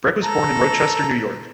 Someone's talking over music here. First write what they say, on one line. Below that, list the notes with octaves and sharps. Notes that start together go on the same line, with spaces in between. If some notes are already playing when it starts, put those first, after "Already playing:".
Breck was born in Rochester, New York.
A4 A#5